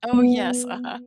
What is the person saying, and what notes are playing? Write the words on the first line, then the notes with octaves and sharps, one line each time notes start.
Oh, yes, uh-huh.
B3